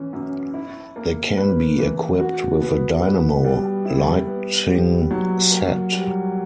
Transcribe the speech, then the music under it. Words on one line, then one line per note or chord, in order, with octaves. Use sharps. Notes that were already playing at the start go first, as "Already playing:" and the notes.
They can be equipped with a dynamo lighting set.
Already playing: E3 C#4
F#2
E4
A#3
B4
E3
F#4
B3
B4
G3
E4
B3
G4
F#3
A#3
G3